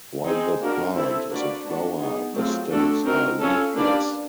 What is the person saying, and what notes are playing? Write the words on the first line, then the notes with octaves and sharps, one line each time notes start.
While the plant is in flower the stems are leafless.
C4 D#4 G#4 C5
A#3 D4 F#4 A#4
C4 E4 A4
A#3 D4 F#4 B4 D5
B3 D4 F#4
B3 D#4 G#4
F#3 A3 C4 F4 G#4
A3 D4 F#4 A4
C4 D#4 F#4 A#4
C#4 F4 A4
A#3 D4 G4 B4 D5